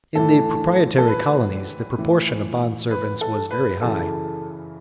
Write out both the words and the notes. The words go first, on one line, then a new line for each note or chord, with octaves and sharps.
In the proprietary colonies the proportion of bond servants was very high.
A2 E3 A4
A4
B4
A2 E3
B4
A4
B4
F#2 C#3 E3 A4